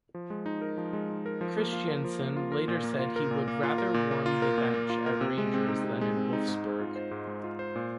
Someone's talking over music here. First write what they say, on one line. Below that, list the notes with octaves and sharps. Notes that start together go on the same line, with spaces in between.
Christiansen later said he would rather warm the bench at Rangers, than in Wolfsburg.
F3
G#3
D#4
A#4
F3
G#3
D#4
A#4
F3
A#3
F4
A#4
F3
A#3
F4
A#4
A#2
A#3
F4
A#4
A#2
A#3
F4
A#4
A#2
A#3
F4
A#4
A#2
A#3
F4
A#4
C3
G#3
C4
D#4
C3
G#3
C4
D#4
G#2
G#3
F4
C5
G#2
G#3
F4
C5
A#2